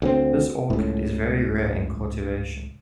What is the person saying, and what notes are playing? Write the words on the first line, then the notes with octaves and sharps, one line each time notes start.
This orchid is very rare in cultivation.
D2 B3 C4
C#2 A2